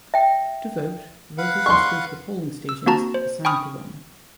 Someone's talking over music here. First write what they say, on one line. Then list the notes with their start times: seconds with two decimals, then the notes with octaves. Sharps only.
To vote, voters must go to the polling stations assigned to them.
0.14 E5 G5
1.38 B4 F5 F#5
1.66 C6 C#6
2.69 E6
2.86 A#3 C4 F#4 A5 A#5
3.14 C5
3.45 G5 G#5 B5 C#6 D#6 F6